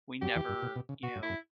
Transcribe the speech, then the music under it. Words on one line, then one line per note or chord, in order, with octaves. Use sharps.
we never you know,
F#2 F#3 G4
E2 E3
G2
B2
B2
C#3
B2 F#4
G2
E4
F#2